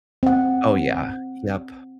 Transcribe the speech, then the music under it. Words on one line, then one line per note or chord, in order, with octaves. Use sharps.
Oh, yeah. Yep,
C4 F#5